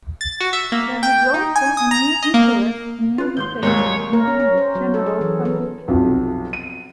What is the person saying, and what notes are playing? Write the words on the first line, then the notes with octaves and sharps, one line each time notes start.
There is also a new interest in meditation among the general public.
A6
F#4
E5
A#3
G5
D#4
G#5
D#6
A#5
D#5
A#3
F4 B4
D#2 G#2 C6 G6
D#2 G#2 G3 G#3 C4 A#4 C#5
F#3 G3
A#4
C#4
C#4
C5
F#3
A4
G#4
E3
B3
B1 F2 C3
D#7